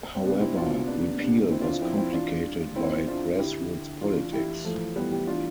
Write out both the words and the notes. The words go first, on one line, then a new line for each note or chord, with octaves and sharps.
However, repeal was complicated by grassroots politics.
C4
C3 B3 D4
C4 E4
B2 D4 F4
C3 B3 D4
B3 D4
C3 B3 D4
D3 C4 E4
D4 F4
D4 F4
F3 C4 E4
C4 E4
E3 D4 F4
G2
F2 C4 E4
E2 D4 F4
D3 E4 G4
E3 D4 F4
E4 G4
F3 A3
E3 G3 B3
E4 G4
D4 F4